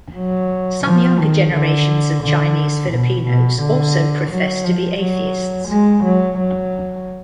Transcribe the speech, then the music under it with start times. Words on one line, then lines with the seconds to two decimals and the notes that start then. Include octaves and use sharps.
Some younger generations of Chinese Filipinos also profess to be atheists.
0.15 F#3
0.84 F3
1.19 D#3
1.53 D3
2.22 D3
2.91 B2
3.26 B2
3.61 D3
4.30 F#3
4.65 F3
4.99 F#3
5.68 G#3
6.03 F#3
6.38 F#3